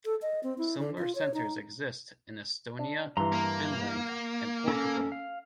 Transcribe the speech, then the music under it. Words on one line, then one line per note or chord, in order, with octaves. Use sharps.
Similar centers exist in Estonia, Finland, and Portugal.
A4
D#5
C4
E4
D3
F4
C#5
D#4
D4
G2 E3 A#5 C6
A#3
F#5
C#4 A4
F5